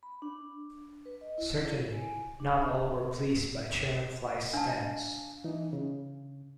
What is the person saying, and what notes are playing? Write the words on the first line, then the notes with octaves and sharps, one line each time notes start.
Certainly, not all were pleased by Chairman Fly's stance.
B5
D4
B4
D#5
E4
G#5
D4
D4 F5 G#5 A5
E3 D#4
C#3